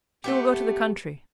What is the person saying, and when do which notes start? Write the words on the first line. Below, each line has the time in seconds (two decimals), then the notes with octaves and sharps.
"She will go to the country."
0.24 A3 B3 G4